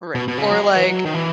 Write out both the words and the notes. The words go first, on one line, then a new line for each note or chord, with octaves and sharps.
Right. Or, like,
B2
B2
C#3
F#3
G#3
E3
F#3
D#3
E3